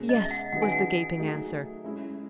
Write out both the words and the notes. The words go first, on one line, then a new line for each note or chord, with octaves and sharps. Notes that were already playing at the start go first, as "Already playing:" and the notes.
"Yes!" was the gaping answer.
Already playing: B2 G#3 C#4 G#4
D#5
E5
F#5
D#3 F#3 C#4 G#4 B4 F#5
G#5
F#5
F#3 A3 D#4 G#4
G#3 C#4 E4